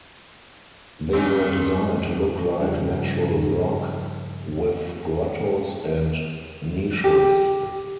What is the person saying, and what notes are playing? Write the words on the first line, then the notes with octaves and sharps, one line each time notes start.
They were designed to look like natural rock, with grottos and niches.
A#2 D#3 C4 C#4
G2 C#3 F3
G4